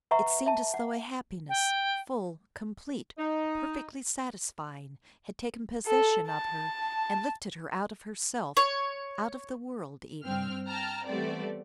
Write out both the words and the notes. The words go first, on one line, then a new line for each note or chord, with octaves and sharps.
It seemed as though a happiness--full, complete, perfectly satisfying--had taken possession of her, and lifted her out of herself-- out of the world even.
B4 E5 F#5 A#5 C#6
E5 A5
F#5
G5
D#4
A4
A5
C#5
G2 C4 G5 F6
G5 A5 A#5 F6
E3 G3 A3 B3 C4 D5